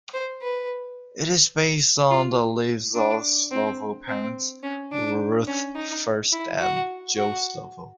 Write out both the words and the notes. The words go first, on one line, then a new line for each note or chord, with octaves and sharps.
It is based on the lives of Slovo's parents, Ruth First and Joe Slovo.
C5
B4
F4
D4
C4
C4
C#4
D4
C#4
D#4
E4
F#4
F#4